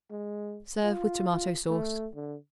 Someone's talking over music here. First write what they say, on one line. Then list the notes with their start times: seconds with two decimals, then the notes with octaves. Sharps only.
Serve with tomato-sauce.
0.11 G#3
0.84 F4
1.70 A3
2.15 D3